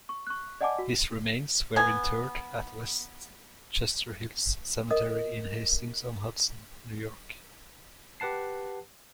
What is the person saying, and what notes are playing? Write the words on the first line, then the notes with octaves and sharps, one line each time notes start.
His remains were interred at Westchester Hills Cemetery in Hastings-on-Hudson, New York.
C#6
C#6 F#6
D5 D#5 F#5 G#5 A5 D6
F#4
B3 G#5
A#4 D#5 D#6
G4 B4 F#5 A5 C7